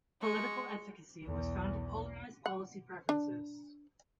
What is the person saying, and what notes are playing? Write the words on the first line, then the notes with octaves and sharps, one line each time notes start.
Political efficacy was found to polarize policy preferences.
G#3 C#6
B1 E2
F#5
D4